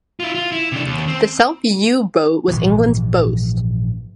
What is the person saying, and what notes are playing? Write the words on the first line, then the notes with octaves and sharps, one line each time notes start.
The self-yew bow was England's boast.
E4 F4
F4
E4
C3 D4
D#2
C4
A#1 G#2 E3